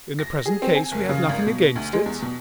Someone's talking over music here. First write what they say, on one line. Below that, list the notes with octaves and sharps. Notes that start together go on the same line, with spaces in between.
"In the present case we have nothing against it."
A#6
G#4
C4
G#5
F#1
C#3
G#1
B2
D2
G#3
E2
B2